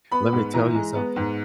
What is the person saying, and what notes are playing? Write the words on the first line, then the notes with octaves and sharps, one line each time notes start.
Let me tell you something."
B3 B5
G#2
E3 A#5
G#3
B3
G#2